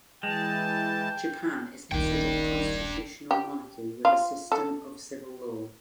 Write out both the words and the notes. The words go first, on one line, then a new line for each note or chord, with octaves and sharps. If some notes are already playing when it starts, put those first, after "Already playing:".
Japan is considered a constitutional monarchy with a system of civil law.
E3 G#3 G5 A5
D#1 A#1 D#3 D4 G5
G4
F4
A4